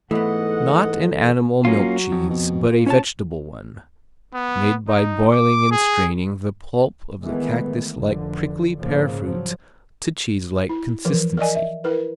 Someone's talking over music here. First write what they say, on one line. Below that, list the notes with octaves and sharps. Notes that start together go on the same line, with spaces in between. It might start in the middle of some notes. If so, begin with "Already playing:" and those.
Not an animal milk cheese, but a vegetable one, made by boiling and straining the pulp of the cactuslike prickly pear fruit to cheeselike consistency.
G#2 E3 A3 B3 A4 D#5 F#5
F#3 A#3 C#4 F4
F2
B2
A#2
C#4 C#5 A5
B3
D#4
D6
G#4
D#3 E3 G#3 A3 B3
F1 D3
G#2 C#3 F3 A#3
F3 F#3
E4
E3 F3 A#4
A#4 D5 D#5 G#5
E5
E4 A#4 B4